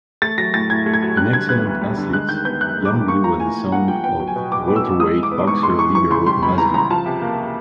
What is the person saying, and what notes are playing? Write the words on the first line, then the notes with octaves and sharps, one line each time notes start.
An excellent athlete, young Lee was the son of welterweight boxer Libero Mazzilli.
A3 A6
F#3 A#6
A2 A6
A2 G#6
A3
G#6
F#3
G3 F#6
D3 G#6
B3 F#6
D2
G3
D3
G#3 F#6
D#3 G6
B3 G6
F#2 F#6
G#3
D6
D#3
A#3 C#6
F3 A#5
A2 G#5
A2
A#3 F#5
F3 G5
B3 G5
F#3
G#5
B2
B2 D6
B3
E6
F#3
G#3 D#6
E3
D6
B3
G#2 C#6
G#3 C6
E3 C#6
E3 C#6
C#3 C6
G3 C6
C#2 B5
E3 A#5
C#3 A#5
F3 A5
C3
A#3